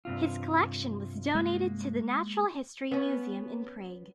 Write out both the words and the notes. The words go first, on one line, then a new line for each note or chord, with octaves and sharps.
His collection was donated to the Natural History Museum in Prague.
G2 C3 F4
G#3 A#3
B3 C#4